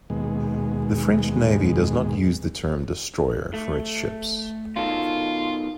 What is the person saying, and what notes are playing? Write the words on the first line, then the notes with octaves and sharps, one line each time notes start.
The French Navy does not use the term "destroyer" for its ships.
D#2 B2 G#3
A3
B2 D#3 F4 A4